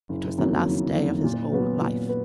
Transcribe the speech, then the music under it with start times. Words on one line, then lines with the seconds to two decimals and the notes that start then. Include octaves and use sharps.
It was the last day of his old life.
0.09 F#1
0.38 F2 D#3 F#3 A#3
0.66 F#1
0.96 F2 D#3 F#3 A#3
1.24 A#2
1.52 F#3 B3 F#4 B4
1.81 A#2
2.09 B4